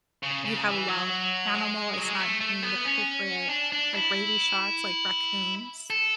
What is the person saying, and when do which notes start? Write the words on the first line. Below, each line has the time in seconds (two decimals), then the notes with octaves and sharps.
you have a wild animal, it's not getting the appropriate, like rabies shots, like raccoons
0.23 C#3
0.45 C#3
0.67 E3
0.88 F#3
1.54 G#3
1.97 F#3
2.08 G#3
2.20 A3
2.41 A3
2.62 B3
2.85 C#4
3.50 D4
3.72 D4
3.93 E4
5.90 A4